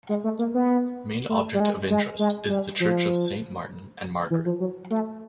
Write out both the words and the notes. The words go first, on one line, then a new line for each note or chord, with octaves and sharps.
Main object of interest is the Church of Saint Martin and Margaret.
G#3
A3
A#3
B3
A3
G3
G#3
G#3
G#3
G3
F3
E3
F3
F#3
A3